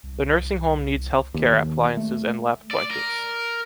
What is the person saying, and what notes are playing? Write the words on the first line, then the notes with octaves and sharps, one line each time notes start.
The nursing home needs health care appliances and lap blankets.
C2
D#2
A3
D5
A#4